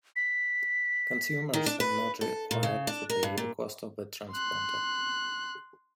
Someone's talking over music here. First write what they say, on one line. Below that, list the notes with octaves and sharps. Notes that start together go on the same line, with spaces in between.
Consumers are not required to pay the cost of the transponder.
B6
D#3
D4
B4
A4
A#2
C#3
D4
A#4
G2
A#2
C6 F#6